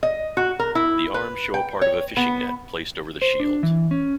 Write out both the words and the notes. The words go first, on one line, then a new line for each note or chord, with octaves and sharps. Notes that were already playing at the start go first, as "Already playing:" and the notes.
The arms show a part of a fishing net placed over the shield.
D#5
F#4
A#4
E4
B4
G5
C#5
B3
C5
D4
E3
C#4